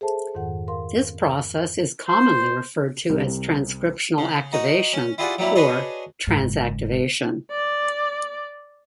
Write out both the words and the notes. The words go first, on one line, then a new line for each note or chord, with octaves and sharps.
This process is commonly referred to as transcriptional activation, or transactivation.
G#4 A4 C5 E5 A5
F2 G#2 D#3 A4 F#5
A#4 F5 C6
C5
C2 C3
C#3
D#4 F#4 A#5
C#4
E4 F4 G4 G#4 D5 F#5
F#3 G3 A#3 E4
D4 F#4 G#4 B4 C#5 D#5
F#1 G#2
D5